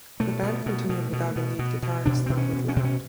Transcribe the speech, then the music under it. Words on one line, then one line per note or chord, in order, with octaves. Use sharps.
The band continued without a lead guitarist when Wood left.
B2 A3
B2
B2
B2
B2
B2
B2
B2
B2 D4
B2 C4
C#4
B2
C#4
B2 C4
C#4